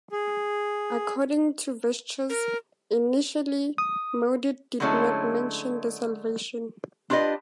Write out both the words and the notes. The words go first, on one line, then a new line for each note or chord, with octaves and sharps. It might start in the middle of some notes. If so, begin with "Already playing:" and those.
According to Viesturs, initially Mauduit did not mention the salvation.
G#4
A#4
D#6
D3 F#3 G#3 A3 C#4 E4
D4 F4 G4 B4 D#5